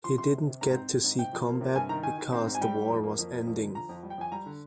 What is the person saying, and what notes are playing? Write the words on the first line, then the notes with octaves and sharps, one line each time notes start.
He didn't get to see combat because the war was ending.
F3 C6
C3 C6
C3
C3
G#2 A#5
C4
C4
G#2
C3 G5
F3
A#3
C3
G2 G#5
D#3 A#5
D#3 G#5
D#3
C4
G#2
G#5
G3 G5
G#2
F2
A#3
F2
A#3
F2
D3
F3 A#5
F2
G3
G5
F2 G#5
G3 A#5
D3